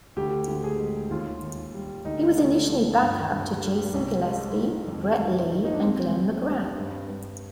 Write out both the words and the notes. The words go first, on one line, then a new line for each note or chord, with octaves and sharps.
He was initially back up to Jason Gillespie, Brett Lee and Glenn McGrath.
D2 G4
D2
G#4
G#3
D#2 F4
D#2
G3
D2 D#4
D2
F3
G2
G2
G3
C2
G#3
D#3
F2
F2
D#3
D#4
D4
D#2 C4
D#2
G3
G2
G2